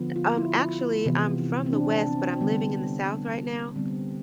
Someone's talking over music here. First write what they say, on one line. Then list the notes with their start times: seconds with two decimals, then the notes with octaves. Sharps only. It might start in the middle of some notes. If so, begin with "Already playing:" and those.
Um, actually, I'm from the West, but I'm living in the South right now,
Already playing: D3 F3 B3
0.16 F4
0.37 E4
1.05 C3 E3 B3
1.66 C4
1.73 D4
2.07 C4
2.41 D3 G3 B3
3.76 D3 G3 B3 C4